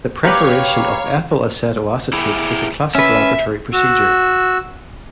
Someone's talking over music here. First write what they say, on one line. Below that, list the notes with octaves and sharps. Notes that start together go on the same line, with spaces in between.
The preparation of ethyl acetoacetate is a classic laboratory procedure.
G4 B4 C#5 F5 A#5 B5 D6
E4 G4 G#4
C#4 B4 E5
F#4 E6